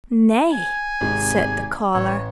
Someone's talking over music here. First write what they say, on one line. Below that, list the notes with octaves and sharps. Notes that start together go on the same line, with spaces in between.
"Nay!" said the collar.
G#5
G#1 C3 G#3
A1 C#5